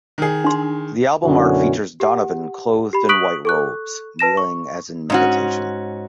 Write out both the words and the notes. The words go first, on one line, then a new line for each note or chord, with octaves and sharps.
The album art features Donovan clothed in white robes, kneeling as in meditation.
D#3 G#4
D4 C6
F#2 B2 D3 C#4 E4 F#4
G4 F#5
G4 B5
C#6 D#6 F#6 B6 D7 F#7
A4 C#6 F#6
B4 A5 A#6 E7
C#6
G#2 C#4 F#4